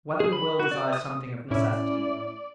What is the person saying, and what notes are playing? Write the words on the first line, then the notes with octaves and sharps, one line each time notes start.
Whether the Will Desires Something of Necessity?
G#4
B5
F#4
D5
D#6
A2 C#4 E4 D5